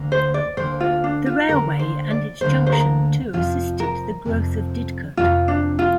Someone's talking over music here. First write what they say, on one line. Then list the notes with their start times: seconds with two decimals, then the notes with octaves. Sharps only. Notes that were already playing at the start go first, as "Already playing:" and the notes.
The railway and its junction to assisted the growth of Didcot.
Already playing: D2 D3 A#3
0.12 C5
0.34 D5
0.57 D2 D3 A#3 C5
0.80 F4
1.04 D4
1.26 F4
1.49 D2 D3 A#3 A#4
1.79 C5
2.11 D5
2.41 D2 D3 A#3 C5
2.66 C5
2.72 A#4
3.33 F2 C3 F3 F4
3.80 A#4
4.26 F2 C3 F3
5.17 F2 C3 F3 F4
5.48 D4
5.79 F4